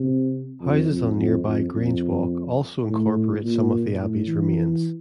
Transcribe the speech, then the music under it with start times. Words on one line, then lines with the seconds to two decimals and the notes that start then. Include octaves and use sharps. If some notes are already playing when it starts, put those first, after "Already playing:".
Houses on nearby Grange Walk also incorporate some of the Abbey's remains.
Already playing: C3
0.61 F2
0.89 F2
1.17 F2
1.44 F2
1.73 F2
2.86 A2
3.43 A#2
3.99 A2
4.27 E3